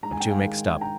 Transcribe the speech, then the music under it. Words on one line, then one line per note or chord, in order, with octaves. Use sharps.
I'm too mixed up.
G#2 A#5
G#5
G5
F5 G#5
D#3 G#3
G5 A#5